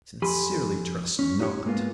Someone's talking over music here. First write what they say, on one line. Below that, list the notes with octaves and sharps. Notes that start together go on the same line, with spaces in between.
"I sincerely trust not."
F2 G4 G#5 B5 C6
C#4
D#4 F#4 G4 A#4 C#5
G#2 G#3 A#3 B3 F4